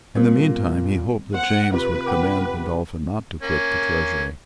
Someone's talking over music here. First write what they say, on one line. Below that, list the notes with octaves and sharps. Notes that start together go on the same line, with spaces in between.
In the meantime he hoped that James would command Godolphin not to quit the Treasury.
A#2 G3 B3 C4
C5 F#5
C3 F4 G4 B4
F#5 G5 D6
A#3 C#4